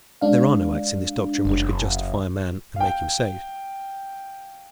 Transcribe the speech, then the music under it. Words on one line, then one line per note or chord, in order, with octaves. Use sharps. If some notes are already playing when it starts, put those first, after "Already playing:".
There are no acts in this doctrine which could justify a man and make him saved.
G#3 D4 F5
F#1
F5 G5